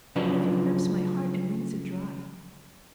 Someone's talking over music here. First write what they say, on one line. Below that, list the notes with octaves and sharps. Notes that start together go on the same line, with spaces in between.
The fear grips my heart and wrings it dry.
C#3 F3 F#3 D4 B4